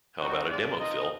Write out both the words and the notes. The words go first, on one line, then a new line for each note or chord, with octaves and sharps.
How about a demo, Phil?
G3 C4 D#4 F#4
G#3 C4 D4 F4 D5
C4 D#4 F4 D#5